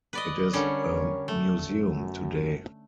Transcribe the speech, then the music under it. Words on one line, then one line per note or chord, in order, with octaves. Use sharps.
It is a museum today.
B4 D5 D#5
D3 G3 C#4 A#4 C#5
A3
F#2